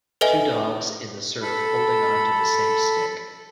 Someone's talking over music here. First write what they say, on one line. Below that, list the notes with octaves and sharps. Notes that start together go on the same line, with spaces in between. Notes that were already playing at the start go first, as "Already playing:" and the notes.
Two dogs in the surf holding on to the same stick.
A4 B4 D#5 E5 G#5
A4 B5